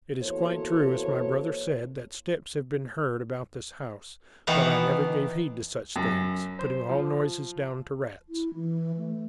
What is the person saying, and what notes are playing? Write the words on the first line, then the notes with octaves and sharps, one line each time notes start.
It is quite true, as my brother said, that steps have been heard about this house, but I never gave heed to such things, putting all noises down to rats.
B2 E3 A#3 A4 C5 C#5
B2 D#3 E3 B3
F#2
C5
F3
E4
E3
A3